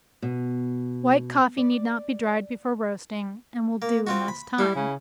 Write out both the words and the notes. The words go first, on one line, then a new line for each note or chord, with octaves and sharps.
White coffee need not be dried before roasting, and will do in less time.
B2
D5
A#3
C4 F4 F#4
B5
G3 E4
C#3